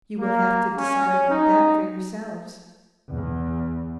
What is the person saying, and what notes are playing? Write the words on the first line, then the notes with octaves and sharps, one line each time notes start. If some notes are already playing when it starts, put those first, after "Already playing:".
You will have to decide about that for yourselves.
A#3
C#4
D#4
E2